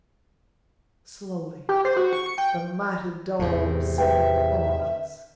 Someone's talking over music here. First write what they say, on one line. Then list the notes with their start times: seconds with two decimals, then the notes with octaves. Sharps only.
Slowly the mighty door receded before us.
1.69 G4
1.85 C5
1.97 F#4
2.13 C#6
2.26 C#7
2.38 G5
3.39 E2 A2 C3
3.98 B4 E5 G5